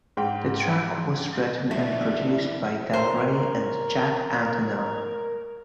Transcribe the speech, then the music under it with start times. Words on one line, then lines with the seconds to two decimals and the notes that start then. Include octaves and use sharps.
The track was written and produced by Del Rey and Jack Antonoff.
0.17 G#2 G5
1.71 D#3 E3 A3 C4 D4 F4 E5
2.93 A#4 C5 C#5 A#5 C#6